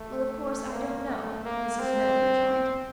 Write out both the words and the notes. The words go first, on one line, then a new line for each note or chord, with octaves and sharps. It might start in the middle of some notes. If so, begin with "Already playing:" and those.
"Well, of course, I don't know," Mrs. Miller rejoined.
Already playing: A3
A#3
A3
A#3
C4